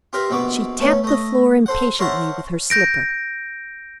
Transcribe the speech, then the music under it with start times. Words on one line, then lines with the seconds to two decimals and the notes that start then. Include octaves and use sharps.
She tapped the floor impatiently with her slipper.
0.13 F4 G4 A#4 B4 E5
0.30 A#1 B2 B3 C#6 D6
0.79 A3 B3 C#4
1.04 A3 D#5
1.66 A4 C5 F#5
1.99 A#4 C5 C#5 E5 F#5 A5
2.70 G6 A#6 D7